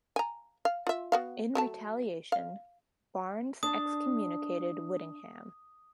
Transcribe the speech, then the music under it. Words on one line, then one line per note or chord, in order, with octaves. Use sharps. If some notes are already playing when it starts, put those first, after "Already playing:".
In retaliation, Barnes excommunicated Whittingham.
G#5 A#5
F5
F4 E5
B3 F#4 F5
F#3 A3 A5
F5
D4 A5 D#6